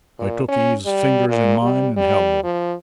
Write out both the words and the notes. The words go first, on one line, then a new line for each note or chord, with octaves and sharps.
I took Eve's fingers in mine and held them.
A#2
C#4
G3
A#2
G3
G3
F3